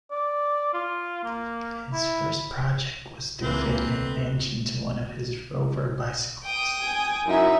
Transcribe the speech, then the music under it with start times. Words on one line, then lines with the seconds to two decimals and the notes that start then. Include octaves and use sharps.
His first project was to fit an engine to one of his Rover bicycles.
0.11 D5
0.74 F4
1.24 A#3
1.93 E4
3.41 C#2 E3 A#3 C4 B4
3.86 D2
6.44 G5 D#6
6.84 G#5
7.27 F#2 D#4 E4 E5